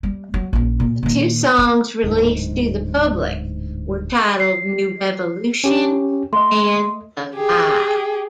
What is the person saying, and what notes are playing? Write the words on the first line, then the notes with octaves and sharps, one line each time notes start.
The two songs released to the public were titled "New Revolution" and "The Lie".
G3
F#3
A#1 C#4
A#2
A#2 D#3
B3
D1 G#2
C7
C#4 G4
A3 D#5 C6
G4 G#4